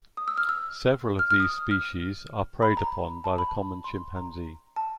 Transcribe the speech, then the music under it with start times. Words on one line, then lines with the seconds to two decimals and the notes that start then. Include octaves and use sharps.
Several of these species are preyed upon by the common chimpanzee.
0.17 D#6
0.28 E6
0.38 F6
0.49 E6
1.19 F6
1.31 F6
1.40 D#6
1.71 F6
2.62 B5
2.77 A#5
3.24 A5
3.38 B5
3.84 C6
4.16 A#5
4.76 A5